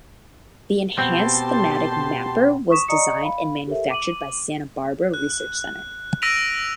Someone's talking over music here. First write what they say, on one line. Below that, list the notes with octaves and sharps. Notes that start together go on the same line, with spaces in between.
The Enhanced Thematic Mapper was designed and manufactured by Santa Barbara Research Center.
B2 C4 G4 A5 C6
C#6 D#6 B6 E7
D5 D#5 A#5 C#6 D#6 C#7
F5 B5
G4 A4 A#4 C#5 E5
D6 D#7 F#7
F#6
E6 A#6 B6 D7 D#7 F7